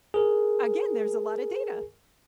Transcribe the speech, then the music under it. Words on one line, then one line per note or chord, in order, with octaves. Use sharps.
again, there's a lotta data.
G#4 A#4